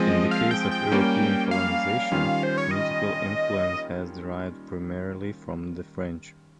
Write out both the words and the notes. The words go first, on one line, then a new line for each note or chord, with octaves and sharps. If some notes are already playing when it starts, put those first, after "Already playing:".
In the case of European colonization, musical influence has derived primarily from the French.
Already playing: F3 G#3 C4 D#5
F5
G5
G5
G3 A#3 C#4
F5
D#3 G3 C#4 F4
C5
C#5
D#5